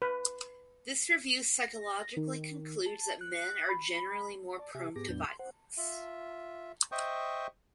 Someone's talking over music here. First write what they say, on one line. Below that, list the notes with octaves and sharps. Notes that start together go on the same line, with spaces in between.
This review psychologically concludes that men are generally more prone to violence.
B4
A#6
D#3
A5
F#6
B5
D5 A5
C3 G4 E5 G#5
G#2 B3 G4 G#4 D6 A#6
E2 A2 F#3 B3 D4 G6
C6
C5 F#5
F4 E5
C5 D#5 E5 G5 C#6 D#6